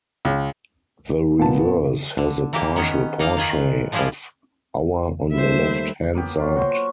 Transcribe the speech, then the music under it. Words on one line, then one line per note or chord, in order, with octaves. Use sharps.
The reverse has a partial portrait of Auer on the left hand side.
C#2
A#2 B3 A5
D3
E3 A#3 G4
D#3 B3 C#4
A#3 D#4 D5 F5
D#3 F4 G#4 B4
F3 G3 G#3 E4 F4
D#2 G3 A3 C5 E5
A#3 B3 G4
F#3 F4
F#4 C5
C#6